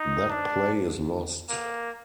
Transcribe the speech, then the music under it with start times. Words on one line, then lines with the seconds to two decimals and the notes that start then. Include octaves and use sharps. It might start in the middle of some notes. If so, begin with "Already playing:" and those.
That play is lost.
Already playing: D#4
0.30 D4
1.49 A#3